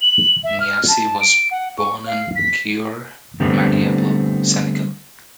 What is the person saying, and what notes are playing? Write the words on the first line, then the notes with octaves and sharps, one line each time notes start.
Niasse was born in Keur Madiabel, Senegal.
F#7
E5
F6
A5
D7
F#5
C#6
F5
B6
D3 G3 A3 B3 C4